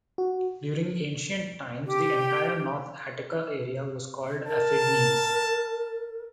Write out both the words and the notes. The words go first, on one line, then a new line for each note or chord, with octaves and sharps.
During ancient times, the entire north Attica area was called "Afidnes".
F#4
G4
A#4 A5